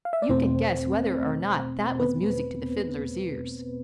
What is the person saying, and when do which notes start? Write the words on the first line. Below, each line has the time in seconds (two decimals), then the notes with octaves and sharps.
You can guess whether or not that was music to the Fiddler's ears.
0.05 F5
0.13 E5
0.22 D5
0.29 E2 B2 A3 C4 C5
2.00 B3 B4